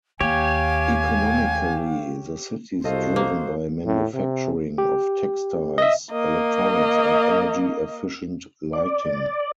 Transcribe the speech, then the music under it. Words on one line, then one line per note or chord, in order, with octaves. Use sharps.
Economically, the city's driven by manufacturing of textiles, electronics, and energy-efficient lighting.
D#2 G4 C#5 F5 G#5
C2 F#4 A4 C5 D#5 F5
A#3
A2
C3
G4
D#5 E5
A#3 D#5
D5